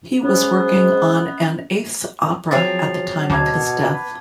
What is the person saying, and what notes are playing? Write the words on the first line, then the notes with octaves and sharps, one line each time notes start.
He was working on an eighth opera at the time of his death.
G#3 B3 C#4 C5
F3 F#3 C4 G#4 A6 C7 F7
D2 B2 A5 D6 G#6
B3
B4